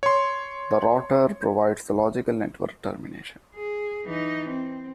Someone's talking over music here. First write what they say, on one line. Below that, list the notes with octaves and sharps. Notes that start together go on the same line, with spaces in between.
The router provides the logical network termination.
C#5 C6
G#4
E3 D#4
C4